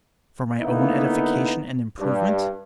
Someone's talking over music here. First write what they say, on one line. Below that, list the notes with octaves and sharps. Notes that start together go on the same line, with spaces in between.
For my own edification and improvement?
D3 A#3 B3 D#4 E4
G2